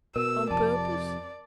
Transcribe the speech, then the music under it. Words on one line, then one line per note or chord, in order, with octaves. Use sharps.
On purpose.
B2 A#4 E6
F2 C3 D5 A5